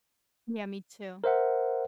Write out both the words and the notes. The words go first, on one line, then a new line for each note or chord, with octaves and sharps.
Yeah, me too.
A#4 C5 E5 F#5